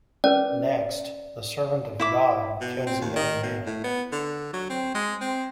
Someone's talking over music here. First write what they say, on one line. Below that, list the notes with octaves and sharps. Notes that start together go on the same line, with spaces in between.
Next, the Servant of God kills a young man.
C#4 A#4 B4 D5
E4 E5 D6
B2
C4
D#2
D#3
B2
A2
B3
D3
F#3
C4
G#3
C4